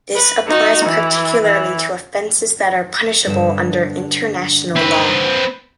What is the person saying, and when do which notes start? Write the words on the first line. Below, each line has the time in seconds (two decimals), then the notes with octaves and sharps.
This applies particularly to offenses that are punishable under international law.
0.15 B4
0.48 D#4 F#4
0.86 E3
1.43 E3
3.26 G2 D3 E5
4.76 C4 B4